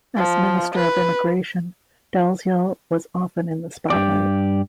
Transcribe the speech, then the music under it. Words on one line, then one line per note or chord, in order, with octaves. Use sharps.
As Minister of Immigration, Dalziel was often in the spotlight.
F3
B4
G2 G4 D5